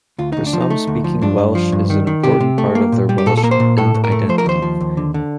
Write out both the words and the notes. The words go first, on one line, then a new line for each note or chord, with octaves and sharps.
For some, speaking Welsh is an important part of their Welsh identity.
D2 F4
D2 D#4
D4
F3
D#4
A3
D2
F3
G2 D4
G2
F3
G2
D#3
D#3
C3 G4
C3
A3
A#3
A#2
G3
G4
A#2 A4
A4
A#3 A#4
C5
A#2
A2 A4
A2
A#4
A3
F3 C5
A#4
D#2 C5
F3
D#2
D3
D3